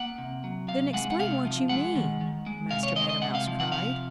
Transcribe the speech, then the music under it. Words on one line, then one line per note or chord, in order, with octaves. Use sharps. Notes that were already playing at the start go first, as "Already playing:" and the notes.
"Then explain what you mean!" Master Meadow Mouse cried.
Already playing: A#3 F#5
C3
F#3
C3 F5
G#3 F#5
F#5
C3 F5
F3
G#3 F#5
D#3
D#3
G#3
C3 F5
C#5
G#3 D#5
D#5
C3 F#5
F5
F3
F#5
C3 F5